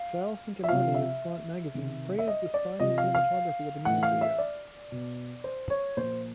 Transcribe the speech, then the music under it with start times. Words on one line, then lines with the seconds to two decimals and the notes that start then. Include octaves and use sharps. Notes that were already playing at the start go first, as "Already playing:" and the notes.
Sal Cinquemani of "Slant Magazine" praised the style and cinematography of the music video.
Already playing: F5
0.64 E5
0.68 C3 F3 F5
0.95 E5
1.74 C3 D#3
2.19 E5
2.28 D#5
2.54 D5
2.80 C3 F3 D#5
2.98 F5
3.15 F5
3.85 A2 E3 F#5
4.03 F5
4.21 E5
4.38 D5
4.92 B2
5.44 C5
5.70 C#5
5.97 A#2 F3 C5